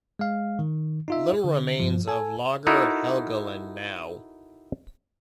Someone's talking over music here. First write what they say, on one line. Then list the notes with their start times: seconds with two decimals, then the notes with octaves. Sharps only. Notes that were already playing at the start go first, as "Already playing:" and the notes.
Little remains of Lager Helgoland now.
0.19 G#3 F5
0.59 D#3
1.08 D#4 F4 E5
1.44 D3
1.80 G2 F3
2.08 A4 G#5
2.67 D#4 E4 F#4 A4 A#4